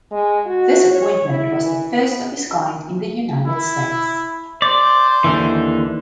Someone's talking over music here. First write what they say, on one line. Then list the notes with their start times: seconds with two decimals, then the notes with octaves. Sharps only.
This appointment was the first of its kind in the United States.
0.11 G#3
0.46 F#4
0.91 C#5
1.29 E4
1.64 E3
1.95 B3
3.46 E4
4.62 C5 D5
5.24 D#2 D3 E3